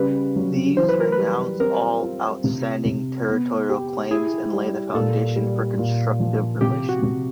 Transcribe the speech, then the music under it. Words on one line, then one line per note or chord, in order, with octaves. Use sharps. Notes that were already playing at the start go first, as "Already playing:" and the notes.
These renounce all outstanding territorial claims and lay the foundation for constructive relations.
Already playing: C#3 G3 B4
F#3
E3 C5
B4
A#4
B4
G3
C4 A#4
F4
C3
C3
B3
G4
E4 G#4
G3
A#2 A4
G3
A#2
F3
C3 G4
F#4
C3